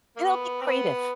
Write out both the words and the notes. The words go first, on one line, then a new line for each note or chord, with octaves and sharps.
it'll be creative.
A#3
B3
C4
B3